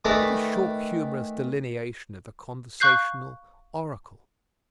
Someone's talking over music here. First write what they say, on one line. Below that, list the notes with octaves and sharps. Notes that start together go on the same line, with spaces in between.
Give a short humorous delineation of the conversational "oracle."
D#3 E3 A3 D#4 E4 D5
F5 C#6 F#6 G6 C7